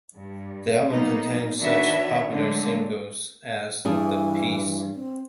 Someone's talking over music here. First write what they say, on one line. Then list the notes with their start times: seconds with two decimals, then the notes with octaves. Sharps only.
The album contained such popular singles as The Peace!
0.16 G2
0.91 F#3 A#3 B3 D#4
1.59 D#3 D4 F#4 B4 C#5 E5
2.33 D3 F#3 G#3 A3
3.85 G2 E3 D4 G#4
4.96 C4